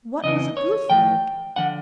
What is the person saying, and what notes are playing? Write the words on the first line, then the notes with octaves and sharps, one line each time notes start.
'What was a goose like?'
F2 C#3 E3 D#5
C#5
A2 F3 G5
D3 F3 F#5